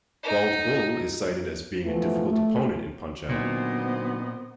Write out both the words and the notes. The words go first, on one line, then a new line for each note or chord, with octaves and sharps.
Bald Bull is cited as being a difficult opponent in "Punch-Out!!".
D#4
E3 F3 A3 B3
A3
A#2 D3 F#3 B3 C4 D#4 C5 D#5